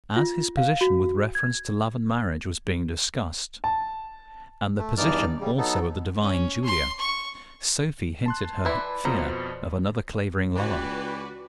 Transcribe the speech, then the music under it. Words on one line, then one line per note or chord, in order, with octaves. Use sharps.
As his position with reference to love and marriage was being discussed, and the position also of the divine Julia, Sophie hinted her fear of another Clavering lover.
F4
F5
F#4
G#6
A5
A3
E2 G2 E3 D#4 D5 F6
C#3 G3
F#3 B3 D#4 A4
C#4
C6
C#6
A5 C6 F#6
E3 E4 B4 D5
F2 B2 F3 C5 A#5
C#2 E3 F#4 G4 B4 D5